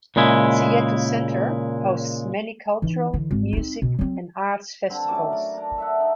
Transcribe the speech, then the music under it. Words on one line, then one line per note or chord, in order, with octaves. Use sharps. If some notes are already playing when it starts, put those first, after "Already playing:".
Seattle Center hosts many cultural, music and arts festivals.
A#2 C#3 G#3 E4
E3 D#4
D3 E3
G#1
C4 D#4
B2 C4
F#3 C4
D3 G3 C4
A2 F#3 C#4 D6
A#4 D5
D4 A#5
A4 E5 F#5
D#4